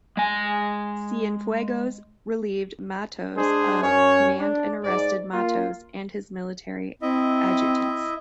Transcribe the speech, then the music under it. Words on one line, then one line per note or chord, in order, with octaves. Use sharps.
Cienfuegos relieved Matos of command and arrested Matos and his military adjutants.
G#3 G#5
G#3 D4 G#4 C5
F#2 C#4 C#5
D4
G#2 D5
A#3 F4
C4 E4 D#5 E5